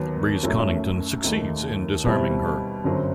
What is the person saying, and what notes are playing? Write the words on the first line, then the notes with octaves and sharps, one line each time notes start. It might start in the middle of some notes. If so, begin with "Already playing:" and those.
Breeze-Connington succeeds in disarming her.
Already playing: D#2 D#3 F#3 B3
F#2 F#3 A3 E4
D#2 D#3 A3 D#4
B2 G3 C4 E4
G1 F#2 F#3 C4